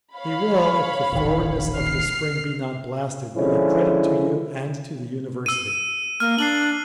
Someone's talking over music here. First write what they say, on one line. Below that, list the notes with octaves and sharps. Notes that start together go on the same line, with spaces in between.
He will, if the forwardness of his spring be not blasted, be a credit to you, and to the University.
C#5 F5 B5
D#1 A1 D#3
F6 C7
D3 F3 G#3 C#4 E4
E6 D#7
A#3 F6
D4 C7 F#7